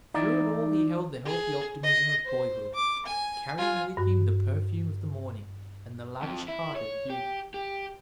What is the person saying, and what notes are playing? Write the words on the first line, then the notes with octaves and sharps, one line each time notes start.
Through it all he held the healthy optimism of boyhood, carrying with him the perfume of the morning and the lavish heart of youth.
E3 D#4 E4 D5
G#4
D#5
C5
D6
G#5
F4 G#5
G2 F#4
F2
E4
C#5
G4
G4